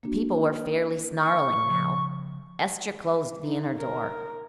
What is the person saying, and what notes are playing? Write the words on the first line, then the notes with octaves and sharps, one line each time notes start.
The people were fairly snarling now. Estra closed the inner door.
A#3 D4 F#4
C#6
C#3 F3
D#4
A#4